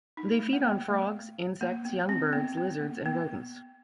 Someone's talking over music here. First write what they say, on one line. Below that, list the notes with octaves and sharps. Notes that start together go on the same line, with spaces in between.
They feed on frogs, insects, young birds, lizards and rodents.
D#4
A3
A#3
B3
A3
A#3
B3
C4
B3
B3
A#3
B3